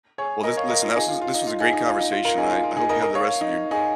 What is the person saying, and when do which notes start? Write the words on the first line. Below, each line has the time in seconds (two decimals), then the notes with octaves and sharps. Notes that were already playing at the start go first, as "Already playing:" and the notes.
Well, this Listen, tha s this was a great conversation. I I hope you have the rest of your
0.18 G#4 C#5
0.44 A#4 D#5
0.57 C#5 F5
0.69 A#4 D#5
0.82 F4
0.96 D#4 G#4
1.08 F4
1.21 F4
1.34 D#4
1.47 F4
1.60 D#4 G#4
1.73 D#4
1.86 F4
1.99 D#4
2.12 F4
2.25 F4 A#4
2.38 D#4 G#4
2.50 F4
2.63 F4
2.77 D#4 G#4
2.89 A#4 D#5
3.02 A#4 D#5
3.15 C#5 F5
3.41 D#4
3.71 D#4 G#4